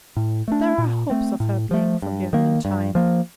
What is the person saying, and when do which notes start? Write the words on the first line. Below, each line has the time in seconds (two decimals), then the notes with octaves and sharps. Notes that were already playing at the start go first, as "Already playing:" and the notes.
But there are hopes of her being forgiven in time.
0.17 A2
0.48 A3 D4
0.78 A#2
1.10 A3 C4
1.40 A2
1.71 F3 A3
2.02 G2
2.33 D#3 A#3
2.65 G2
2.95 F3 A#3